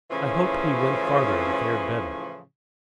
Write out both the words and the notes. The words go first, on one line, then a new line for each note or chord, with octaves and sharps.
I hope he went farther, and fared better.
A2 C#3 E3 F3 C#4